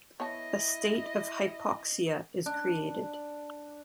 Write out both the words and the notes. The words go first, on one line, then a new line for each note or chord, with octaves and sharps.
A state of hypoxia is created.
B3 E4 C#5 D#5 A5
D4